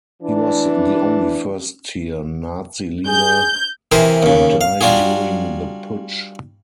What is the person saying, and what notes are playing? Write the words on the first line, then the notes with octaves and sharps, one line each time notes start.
He was the only first-tier Nazi leader to die during the Putsch.
E3 D4
G#4 G6
C3 E3 G#4 A#4 C5
D#2 C#3
F5
G3 D4 F4 F#4 G#4